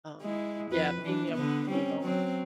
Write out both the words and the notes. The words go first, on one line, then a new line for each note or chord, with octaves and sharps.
um, yeah, being able to move on.
G#3 E4
F2 B4
E3 D4
D3 B3
G3 C4 C#4
F#3 C4